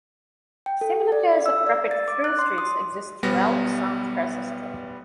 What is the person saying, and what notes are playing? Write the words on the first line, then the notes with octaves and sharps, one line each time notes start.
Similar pairs of rapid through-streets exist throughout San Francisco.
G5
A4
D5
E6
D5
A6
D6
F#6
C6
D#6
B1 G3 B3 A#6